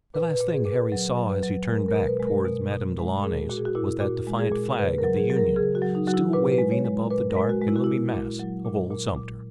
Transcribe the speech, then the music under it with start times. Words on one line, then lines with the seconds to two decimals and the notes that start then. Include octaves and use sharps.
The last thing Harry saw as he turned back toward Madame Delaunay's was that defiant flag of the Union, still waving above the dark and looming mass of old Sumter.
0.14 A#2 B4
0.34 B4
0.40 A#2
0.52 G#4
0.65 A#2
0.72 B4
0.92 F#3
1.17 F#3
1.29 B4
1.43 F#3
1.69 G#3 A#4
1.88 A#4
1.94 B2
2.07 B4
2.20 G#3
2.27 A#4
2.46 B2
2.71 B2
2.98 G#3
3.23 A#2 G#4
3.49 A#2 F#4
3.57 G#4
3.65 F#4
3.75 A#2 E4
4.00 A#2 F#4
4.27 G#3
4.39 G#4
4.52 A#2
4.78 C#3 B4
4.98 A#4
5.04 F#3
5.16 G#4
5.30 F#3
5.37 A#4
5.56 C#3 G#4
5.75 F#4
5.82 F#3
5.95 D#4
6.08 F#3 F#4
6.14 E4
6.33 A#2 B4
6.52 B4
6.58 G#3
6.71 C#5
6.85 G#3
7.10 A#2 B4
7.30 A#4
7.36 G#3
7.49 F#4
7.61 G#3
7.68 E4
7.76 F#4
7.84 A#2 E4
8.14 A#2
8.39 F#3
8.65 A#2
8.91 A#2
9.17 A#2